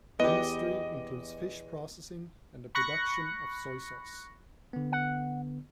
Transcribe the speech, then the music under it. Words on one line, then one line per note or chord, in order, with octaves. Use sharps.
Industry includes fish processing and the production of soy sauce.
E2 B3 G4 D#5
B5 C#6 F#6 A#6 C#7
D3 B3
F#5